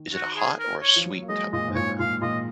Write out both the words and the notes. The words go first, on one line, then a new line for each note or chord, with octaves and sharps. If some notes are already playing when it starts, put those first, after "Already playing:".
Is it a hot or a sweet type of pepper?
Already playing: D#3
F#4
G#4
A#4
C#5
F3
F#3
A#3
G#3 D#5
A#2 D#5
G#2
A#2 C#5
A#2 F5
A#2 D#5